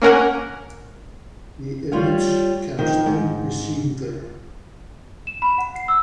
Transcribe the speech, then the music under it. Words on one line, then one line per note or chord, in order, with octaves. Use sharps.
The image can still be seen there.
A#3 C#4 A#4 F#5
G3 F4 C#5 F5
D#3 F3
G#2
E7
B5
F#5
C7
E6